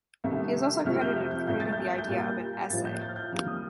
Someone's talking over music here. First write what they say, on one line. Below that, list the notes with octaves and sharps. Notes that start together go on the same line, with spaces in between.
He is also credited with creating the idea of an "essay".
C2 C3 D#3 A3
F2 C3 F3 A3 F6
G6
G6
C2 A#2 A3 G6
A6
G6
A6
G6
A#2 G3 A#3 A6
G6
A2 F3 A#3 A6
G6
G6
A6
F6
G6
F2 D#3 G3 A#3 F6
D#6